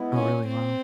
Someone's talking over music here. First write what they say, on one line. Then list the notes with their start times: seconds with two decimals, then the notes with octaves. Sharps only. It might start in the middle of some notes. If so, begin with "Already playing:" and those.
Oh, really? Wow.
Already playing: G#3 B3 E4
0.14 C#4
0.47 C4